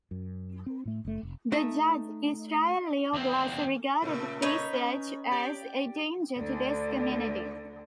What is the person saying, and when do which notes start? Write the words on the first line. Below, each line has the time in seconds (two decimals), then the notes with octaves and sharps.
The judge Israel Leo Glasser regarded Pesach as "a danger to this community".
0.11 F#2
0.66 C4
0.85 A2 A3
1.05 F#1 A3
1.23 F1
1.52 A3 D#4 D#5 E5
3.14 E2 C4
4.02 A#2 C#3 A3
4.42 D#4 B4 C#5
4.73 C#4
5.31 G4 D5
6.37 D2 D3